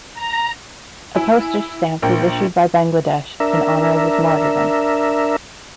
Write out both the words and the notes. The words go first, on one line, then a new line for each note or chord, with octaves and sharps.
A postage stamp was issued by Bangladesh in honor of his martyrdom.
A#5
E4 G#5
A#1 A#3 G5
D4 A#4 E5